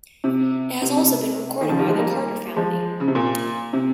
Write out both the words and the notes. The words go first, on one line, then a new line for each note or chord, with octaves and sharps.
It has also been recorded by the Carter Family.
C3
C3
C3
C3
D#3
C#3 F3
D#3 G3
F3 G#3
G3 A#3
F3 G#3
C#3
C3
A#2
C3